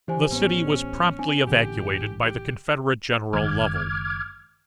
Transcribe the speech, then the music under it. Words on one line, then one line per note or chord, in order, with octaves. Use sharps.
The city was promptly evacuated by the Confederate General Lovell.
E3 D4 G4 C5 G#5
A1 B3 C#4
C4 D4 G#5
A1 D3 G4
G4
F#1 D#3 G#3 D6 F6 G#6